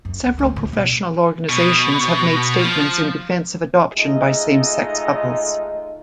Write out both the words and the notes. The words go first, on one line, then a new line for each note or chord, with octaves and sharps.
Several professional organizations have made statements in defense of adoption by same-sex couples.
F#2
D#2
D2
A2
B2
B2
F3
G#3 A3 D#4 F4 D#5